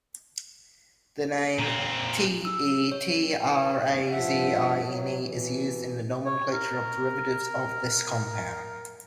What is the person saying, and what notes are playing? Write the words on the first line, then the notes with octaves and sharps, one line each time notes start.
The name "tetrazine" is used in the nomenclature of derivatives of this compound.
A#2 C4
E6
C#5
B4
E2 G2
G2 F3 E5 F#5
F#3
B2 E3
C#5
A#4